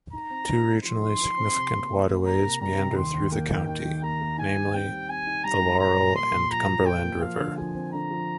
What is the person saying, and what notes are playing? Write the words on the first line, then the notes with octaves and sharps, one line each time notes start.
Two regionally significant waterways meander through the county, namely the Laurel and Cumberland river.
D#4 A#5
C4
D#4
D#4
F3 C6
D#4
D#4
C4
C3
A#3
A#3
A#3
A#3 A#5
C3
G3 A#5
C3
D#2 C6
D#2
A#3 G5
D#3
D#2 G5
D#3
A#3 A#5
A#3
D#4 G#5
D#4
C4 G5
G3
C4 G#5
D#4
G3 A#5
G3
A#2 A#5
A#2
A#3 C6
A#2
F3 A#5
A#2
F3 G5
A#3
F3 F5
D3
F3 G#5
C4
D3 A#5
F3